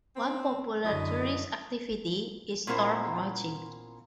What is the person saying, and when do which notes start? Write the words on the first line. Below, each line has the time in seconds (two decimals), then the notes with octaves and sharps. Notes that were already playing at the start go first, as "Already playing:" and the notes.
One popular tourist activity is storm watching.
0.16 C4
0.84 F#2 D3 F#3 E4 D#5
2.67 A#2 B3 C#4 E4 A#4 C5